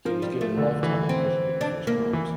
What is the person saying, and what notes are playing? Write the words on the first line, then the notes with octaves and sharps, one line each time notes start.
He was given lifetime imprisonment for his crimes.
F3 A#3
G3
A3
D3
E3
C4
D4
A#3
E3